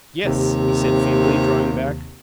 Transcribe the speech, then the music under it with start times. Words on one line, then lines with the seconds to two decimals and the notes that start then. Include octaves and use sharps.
"Yes," he said, feebly, drawing back.
0.25 D#2 C3